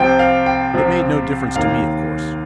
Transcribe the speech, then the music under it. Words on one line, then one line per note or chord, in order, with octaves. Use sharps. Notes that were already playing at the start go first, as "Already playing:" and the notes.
It made no difference to me, of course.
Already playing: C2 C3 F3 C4 G5
F5
G5
C2 C3 F3 C4
D#2 D#3 A#3 F5